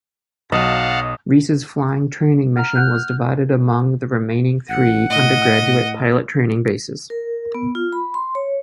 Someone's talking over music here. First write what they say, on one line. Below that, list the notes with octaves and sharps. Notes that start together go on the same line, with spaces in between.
Reese's flying training mission was divided among the remaining three undergraduate pilot training bases.
B1 F#3 D#5 F5 F#5 A5
F#5 A#5 F6
F#5 F#6 G6
A1 F#5
A2 D#5
A#4
B3
F4
B5
C6
C#5